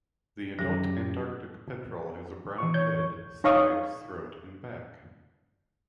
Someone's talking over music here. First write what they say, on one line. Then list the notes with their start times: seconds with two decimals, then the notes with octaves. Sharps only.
The adult Antarctic petrel has a brown head, sides, throat, and back.
0.59 F#2 F#3 G4 A#6
2.58 E3 C#6
2.74 C#5 G6 G#6
3.44 D#4 C#5 F5 C#6 D#6